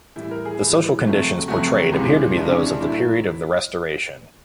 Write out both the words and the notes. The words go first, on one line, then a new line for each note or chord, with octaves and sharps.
The social conditions portrayed appear to be those of the period of the Restoration.
A2 E3 G3 E4
A#4
G#4
A2 E3 G3
F2 C#3 F#3 A3
F2 C#3 F#3 A3 F#4
C#2 C3 E3 G#3
C#2 C3 E3 G#3 D4
C#4
D4
A2 F#3 A3 E4